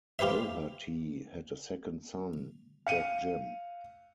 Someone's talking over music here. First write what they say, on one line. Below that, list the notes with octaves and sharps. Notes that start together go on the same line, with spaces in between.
Doherty had a second son, Jack Jim.
F4 G4 B4 C5 E5
F5 C#7 D#7